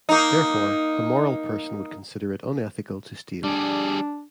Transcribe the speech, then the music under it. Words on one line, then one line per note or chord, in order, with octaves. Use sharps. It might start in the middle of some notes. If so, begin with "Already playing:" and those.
Therefore, a moral person would consider it unethical to steal.
A#3 D#4
G3 D4 G#4